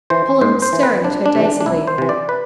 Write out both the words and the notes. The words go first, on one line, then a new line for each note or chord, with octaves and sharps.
Colin was staring at her dazedly.
E3 C5
G#2 C5
C5
E3
B4
C2 D4
D4
C3 E3
D4
D4
C2 E4
C5
C3 E3
D5
B4